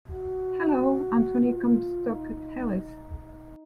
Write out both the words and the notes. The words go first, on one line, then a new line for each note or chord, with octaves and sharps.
Hello, Anthony Comstock Ellis.
F#4
F4
D#4